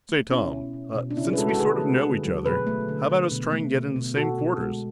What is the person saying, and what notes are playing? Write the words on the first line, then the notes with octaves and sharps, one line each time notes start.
"Say, Tom--ah, since we sort of know each other, how about us trying to get in the same quarters?"
A3
B2 C#4 E4
B2
B2
B2
D4
C#3 C#4 E4
E4 G#4
B4
G#3 F#4 A4
F#4 A4
D3 G#4 B4
A3
D3
F#3
B2 G#4 B4
A3
D3
D3
B2
A3
B2
B2
B2 F#4 A4
B2
G#3